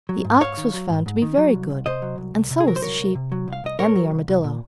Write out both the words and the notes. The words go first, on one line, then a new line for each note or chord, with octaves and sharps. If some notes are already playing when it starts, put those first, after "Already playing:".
The ox was found to be very good, and so was the sheep, and the armadillo.
F#3
G#2
G#2 C#5 F5
D#3
F#3
G#2
G#2
D#3
F#3
C2
C2
C3 C5 D#5
F#3
C2
C2
C3
G#4
F#3 A#4
C5
C2 A#4 C#5
C2
C3
F#3
C2 F5
C2 D#5
A#2 A#4 C#5
F#3
C2
C2
A#2